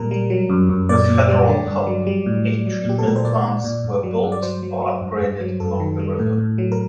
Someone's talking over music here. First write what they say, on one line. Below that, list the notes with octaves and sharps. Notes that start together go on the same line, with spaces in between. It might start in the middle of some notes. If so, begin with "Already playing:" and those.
With federal help, eight treatment plants were built or upgraded along the river.
Already playing: A#2 G3 A#4
G3
F#3
F#2
F#2
A#2 D5
A#2
G3
D3
G2
F#3
G3
A2
G3
F#3
A#2 G4
A4
A#2 A#4
C5
A#2 D5
A#2
A#2
G2
F#3
G2
D5
F#3 C5
F#3
F#3
G2
G2
F#3
F#2 A4
D#3
G3
A2
A2
F#3
A#4